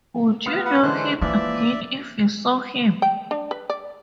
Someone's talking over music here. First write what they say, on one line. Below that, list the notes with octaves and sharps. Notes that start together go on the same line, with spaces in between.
Would you know him again if you saw him?
B3 F4
B4 F#5
D3 E3 G#3 C5 F#6
E3 F3 A#3 D5 E5
G5
D4
B4
D5